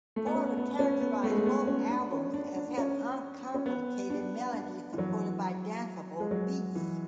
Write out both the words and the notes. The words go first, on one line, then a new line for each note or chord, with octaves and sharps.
Porter characterized both albums as having uncomplicated melodies supported by danceable beats.
A3
B3
C#4
B3
C#4
B3
A3
G#3
A3
B3
C#4
D4
C#4
D4
D4
D4
C#4
C#4
B3
D4
D4
E3
F#3
G#3
F#3
E3